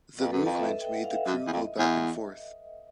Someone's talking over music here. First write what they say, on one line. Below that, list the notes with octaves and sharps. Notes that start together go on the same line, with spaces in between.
The movement made the crew go back and forth.
F2 B4
F#2 A4
F2 D#5
E5
G5
F#5
F5
E5
F#2 D#5
E2
F2
E2